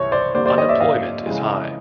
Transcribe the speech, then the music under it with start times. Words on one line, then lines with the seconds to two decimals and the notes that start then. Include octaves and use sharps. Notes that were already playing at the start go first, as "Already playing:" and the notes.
Unemployment is high.
Already playing: C2 E3 C#5
0.12 C5 D5
0.34 F2 D3 G3 A#3 C5 D5
0.46 C5 D5
0.58 C#5 D#5
0.69 D5 E5
0.80 D#5 F5
1.26 F2 C#3 E3 G#3